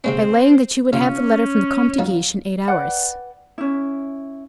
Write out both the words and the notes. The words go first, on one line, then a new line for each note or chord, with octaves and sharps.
"By laying that you would have the letter from the Comte de Guiche in eight hours."
C3 G#3 C4 C#4
C3 C#4 F4
F3 F#3 D#4
B4 D5 F#5 G5
C#4 E4